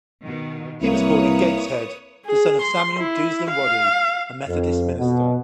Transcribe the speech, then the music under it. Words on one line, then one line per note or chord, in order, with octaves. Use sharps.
He was born in Gateshead, the son of Samuel Dousland Waddy, a Methodist minister.
B2 D#3
C2 A#3 E4 B4 C#5 D#6
G#4
C6
E4
F5
F2
B2